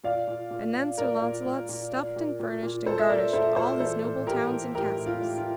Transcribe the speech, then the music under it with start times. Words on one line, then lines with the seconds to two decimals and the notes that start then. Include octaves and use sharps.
And then Sir Launcelot stuffed and furnished and garnished all his noble towns and castles.
0.04 A#2 D5 F5
0.27 A#2
0.51 A#2
0.75 A#2
0.98 A#2 A#4 D5
1.22 A#2
1.46 A#2
1.69 A#2
1.92 A#2
2.16 A#2
2.40 A#2
2.63 A#2
2.86 A#2 A4 C5
2.99 E5
3.09 A#2 A#4 D5
3.33 A#2 A4 C5
3.56 A#2 A4 C5
3.80 E3 A4 C5
4.04 A2
4.27 E3 G4 A#4
4.50 E3
4.75 A2 G4 A#4
4.97 A2
5.06 F4
5.21 A2
5.38 F4